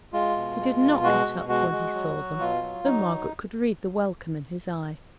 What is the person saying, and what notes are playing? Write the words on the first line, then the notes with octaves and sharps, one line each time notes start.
He did not get up when he saw them, though Margaret could read the welcome in his eye.
G#3 F4
B2
G#3
B2
G#3 F#4
B2
G#3 F#4
G#3
F#3
F#3
B2 F4
F#3
F#3 D#4
F#3